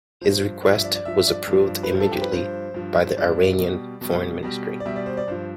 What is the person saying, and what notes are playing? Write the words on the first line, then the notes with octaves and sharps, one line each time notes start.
His request was approved immediately by the Iranian Foreign Ministry.
G2 F3 C5
G2 F3 D5
E5
D5
D5
G2 F3 E5
D5
G2 F3
B4
G2 F3 C5
A4
G4
C5
B4
G2 F3 C5
G2 F3
C5
G2 F3 D5
B2 G3
B2 G3
B2 G3
D5
B2 G3 E5
D5
C5
D5
G2 F3 C5